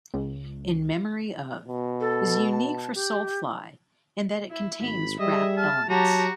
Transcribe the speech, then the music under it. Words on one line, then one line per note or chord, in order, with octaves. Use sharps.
"In Memory of..." is unique for Soulfly in that it contains rap elements.
C#2
B2
A4
A5
G4
E4
G#1 B5
G3 G#4 D#5 E5
A5 F6
F#3 F#4 G4 A5 A#5